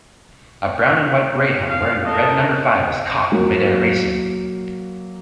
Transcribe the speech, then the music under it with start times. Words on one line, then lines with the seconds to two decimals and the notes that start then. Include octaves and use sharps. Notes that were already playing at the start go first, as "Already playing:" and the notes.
A brown and white greyhound wearing a red number five is caught in midair racing.
1.69 F5
2.06 A4 A#4 D#5
3.32 F#3 A#3